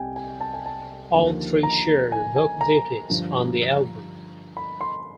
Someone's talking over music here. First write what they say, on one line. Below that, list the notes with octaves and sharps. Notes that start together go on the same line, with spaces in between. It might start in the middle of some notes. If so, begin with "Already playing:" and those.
All three shared vocal duties on the album.
Already playing: C2 C3 G5 G#5
G#5
A5
G#5
A5
D#2 D3 F3
A#5
G#5
G#5
A#5
G2 D3 F3
B5
C6